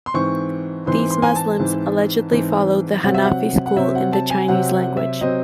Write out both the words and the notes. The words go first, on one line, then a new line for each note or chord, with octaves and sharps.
These Muslims allegedly followed the Hanafi school in the Chinese language.
C6
G#2 E3 C4 C#6
G#2 E3 C4 C6
C6
G#5
A5
G#2 E3 C4
G#2 E3 C4
C3 F#3 C4 F#5
E5
F#5
F#5
C3 F#3 C4 E5
F#5
A5
G#5
C3 F#3 C4 F#5
F#5
E5
C3 F#3 C4 D#5